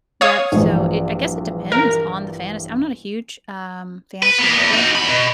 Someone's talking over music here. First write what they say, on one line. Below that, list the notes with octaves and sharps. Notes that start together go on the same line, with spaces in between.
Yep, so it I guess it depends on the fantas I'm not a huge, um, fantasy reader.
C#5 F5 D#6
A#1 G2 E3
A#4
B4
A#3 B3
E2
D#4 F#4
E2 B5
B2